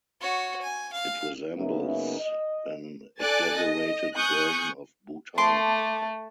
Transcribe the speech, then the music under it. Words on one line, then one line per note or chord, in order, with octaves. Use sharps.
It resembles an exaggerated version of Bhutan.
F#4 C#5
G#5
F5
F#2 C#3 A#3 B3 D#4 E5
D#5
A4 D5 G#5 F#6 A6
D#5
G#5 C#6 D#6 F#6 G6
A3 A5 C6 D6